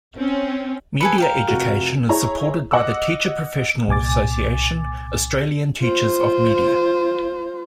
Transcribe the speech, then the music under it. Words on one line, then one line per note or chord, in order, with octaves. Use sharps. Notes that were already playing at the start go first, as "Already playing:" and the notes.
Media education is supported by the teacher professional association Australian Teachers of Media.
C4 C#4
G#4 A4 B4 C#7
A#4 F5 G5
F1 F#4
E4 G#4 C#5 A#5
D#5 F#5 D6 E6
C2 A#2 G#5 D6 A6
F4 C5